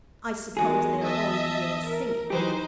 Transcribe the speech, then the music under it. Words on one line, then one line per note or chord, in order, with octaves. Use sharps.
I suppose they are going to hear the singing.
E2 D#3 G#3 F#4 G#4
D#5 E5 A5
A#4
E3 F#3 D#4 G4 B4 C5